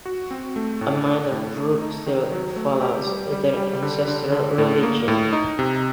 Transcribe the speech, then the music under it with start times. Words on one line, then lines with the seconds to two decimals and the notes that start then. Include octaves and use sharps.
A minor group still follows their ancestral religion.
0.06 F#4
0.31 C4
0.56 A3
0.81 A2
1.06 D4
1.31 A2
1.56 A3
1.81 D#4
2.06 D#3
2.32 F#3
2.56 A3
2.82 G4
3.07 G3
3.32 G3
3.57 G3
3.82 D3
4.08 D3
4.32 D3
4.58 A2
4.83 A#3
5.08 A2
5.33 D#4
5.59 C3